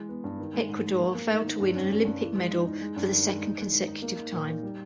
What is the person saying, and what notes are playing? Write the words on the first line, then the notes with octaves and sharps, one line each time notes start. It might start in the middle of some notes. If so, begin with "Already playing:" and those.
Ecuador failed to win an Olympic medal for the second consecutive time.
Already playing: E3 G#3
B3
G2
D#3
G#3
G#2
G#3
A#3
A#3
D#4
D#3
G2
C#4
C#4
G2
E3
G#3
D#4
D#4
G#3
G2
D#3
G#3
D#4
G#3
D#3
D#4
A#3
D#4
A#2
D#4
G3